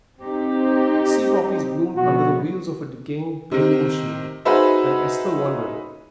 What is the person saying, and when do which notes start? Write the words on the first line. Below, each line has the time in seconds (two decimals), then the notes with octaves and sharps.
Sea-poppies bloomed under the wheels of a decaying bathing-machine, and Esther wondered.
0.20 C4 D#4 G4
1.95 B2 F3 B3 F#4
3.51 C3 D#3
4.45 D#4 F#4 G#4 B4 C5 E5